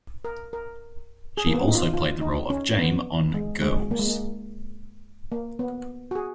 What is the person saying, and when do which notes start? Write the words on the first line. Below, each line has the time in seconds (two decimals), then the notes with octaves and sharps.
She also played the role of Jame on "Girls".
0.25 A#4
0.53 A#4
1.37 G#4
1.47 A#3
1.53 B3
1.61 C#4
1.68 D#4
1.75 F4
1.93 F4
2.21 D#4
2.50 C#4
2.79 B3
3.34 G#3
3.62 G#3
3.91 A#3
3.99 G#3
4.07 A#3
5.32 A#3
5.59 B3
6.11 F#4
6.15 G#4